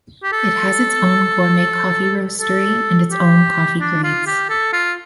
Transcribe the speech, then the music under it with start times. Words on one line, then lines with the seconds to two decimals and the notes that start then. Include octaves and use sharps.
It has its own gourmet coffee roastery and its own coffee grades.
0.23 G4
0.32 A4
2.41 A4
3.11 G4
3.80 D4
4.04 F4
4.27 G4
4.50 A4
4.73 F4